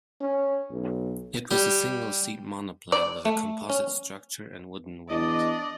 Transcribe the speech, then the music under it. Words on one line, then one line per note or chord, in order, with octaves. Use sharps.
It was a single-seat monoplane with a composite structure and wooden wings.
C#4
B1
G3 G4
D5
A3
C#4
E2 D4 D5 D#5